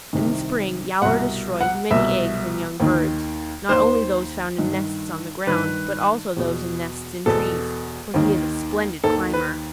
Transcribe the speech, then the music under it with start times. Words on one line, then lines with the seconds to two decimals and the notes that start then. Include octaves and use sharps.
In the spring Yowler destroys many eggs and young birds, not only those found in nests on the ground, but also those in nests in trees, for he is a splendid climber.
0.13 C2 C3 D#3
1.02 C2 B2 F#5
1.61 F#5
1.91 C2 B2 E5
2.80 D#2 D#3
3.69 D#2 D#3 C5
4.58 G2 D#3
5.47 G2 D#3 B4
6.37 E2 B2
7.26 E2 B2 A4
8.14 D#2 D#3
9.04 D#2 D#3 A4
9.33 B4